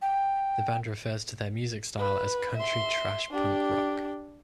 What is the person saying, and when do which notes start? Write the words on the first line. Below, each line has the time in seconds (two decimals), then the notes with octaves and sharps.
The band refers to their music style as Country Trash Punk Rock.
0.02 G5
1.99 B4
2.57 E5 C6
3.31 D4 G4